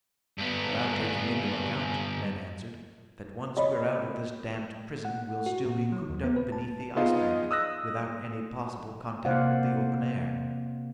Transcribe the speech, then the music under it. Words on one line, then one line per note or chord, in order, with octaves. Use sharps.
"Without taking into account," Ned answered, "that once we're out of this damned prison, we'll still be cooped up beneath the Ice Bank, without any possible contact with the open air!"
G2 B3
C#5 D#5 B5
F#5
F#4
A#2
F#3
D#2
B3
B4
A5
B3 D#4 F4 G#4 D#5 F5
D#6 E6 F#6 A#6
C3 A#3 C5 D5 F5 F#5